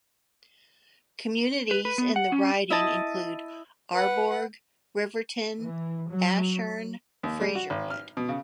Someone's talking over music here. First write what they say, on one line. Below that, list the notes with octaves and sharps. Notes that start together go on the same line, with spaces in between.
Communities in the riding include Arborg, Riverton, Ashern, Fraserwood.
B4
B4
B3
F#5
C#4
E4 D#5 A5
B4 F#5
E3
F#3
D#2
G3
F#4
G#1
F6
B2
C#3